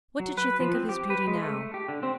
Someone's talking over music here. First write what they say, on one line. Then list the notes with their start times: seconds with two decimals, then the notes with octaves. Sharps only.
What did she think of his beauty now?
0.20 F#3
0.37 B4
0.60 F3
0.75 C4
0.89 G4
1.10 B4
1.27 G#3
1.43 A3
1.74 G4
1.88 D3
2.03 C4